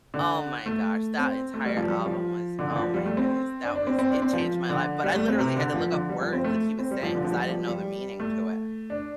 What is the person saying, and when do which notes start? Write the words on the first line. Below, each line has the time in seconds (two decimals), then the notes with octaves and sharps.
Oh my gosh, that entire album was, oh my goodness, that was it changed my life, but I literally had to look up words that he was saying, 'cause I didn't know the meaning to it.
0.14 D3
0.66 A3
1.18 C4
1.54 A3
1.65 G3
1.77 F3
1.89 G3
2.06 F3
2.59 D3
2.70 D3
2.76 F3
2.94 G3
3.06 A3
3.17 C4
3.64 D4
3.75 D4
3.87 C4
3.99 C4
4.11 D4
4.22 C4
4.33 F3
4.70 D3
5.04 G3
5.15 A3
5.28 C4
5.39 C3
5.57 D3
5.74 F3
5.91 D3
6.09 G3
6.21 F3
6.33 C4
6.44 A3
6.79 C4
6.91 G3
7.03 F3
7.15 D3
7.25 F3
7.32 G3
7.49 F3
7.67 G3
8.20 A3
8.90 D4